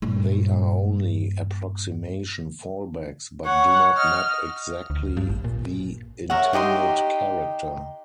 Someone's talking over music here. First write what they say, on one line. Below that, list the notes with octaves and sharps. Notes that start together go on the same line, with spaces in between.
They are only approximation fallbacks but do not map exactly the intended character.
G2 A#2
C#5 F#5
D#5 F6
D2
G2
A1
A#2
A#4 C#5 E5 F#5
D#4 G4 D#5 C6